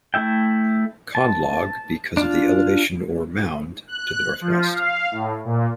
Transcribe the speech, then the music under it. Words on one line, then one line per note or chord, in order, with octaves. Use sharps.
Conlogue because of the elevation or "mound" to the northwest.
A3 E4 E5 G5
A5
D4 F4
F#6
F3
F5
A2
A#2